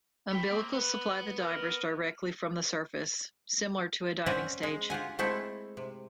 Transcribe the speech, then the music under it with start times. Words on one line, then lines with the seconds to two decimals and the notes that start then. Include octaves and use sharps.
Umbilicals supply the divers directly from the surface, similar to a diving stage.
0.32 C#5 G5 B5
0.52 A#3 C4
0.73 B3 B4
1.39 A#4
4.26 C4 C#4 C#5 D5 E5 F#5
4.63 G#3
4.90 F4 G4 F#5 G#5
5.19 G#3 A3 C4 E4 A4
5.77 C3